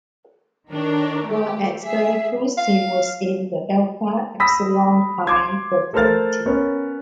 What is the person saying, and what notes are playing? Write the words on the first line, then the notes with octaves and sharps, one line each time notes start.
While at Syracuse, he was in the Alpha Epsilon Pi fraternity.
D#3 D4 A4 A#4 C#5
A3 G4
G#4 E5
F5
B5 D#6 E6 A#6 B6
C6 D6 G#6
A3 A4 A#4 C5 F6 A6
B3 C#4 A#4 C#5